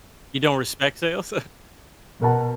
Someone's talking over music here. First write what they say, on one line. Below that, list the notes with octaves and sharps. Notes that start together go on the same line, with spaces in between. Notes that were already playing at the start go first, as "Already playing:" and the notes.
You don't respect sales?
B2 A#4 F#5 A5